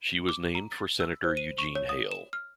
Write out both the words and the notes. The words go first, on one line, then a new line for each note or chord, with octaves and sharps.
She was named for Senator Eugene Hale.
G7
D6
A#5
A6
E6
C5
D#7
C#6
C#5
D#6
E7
F6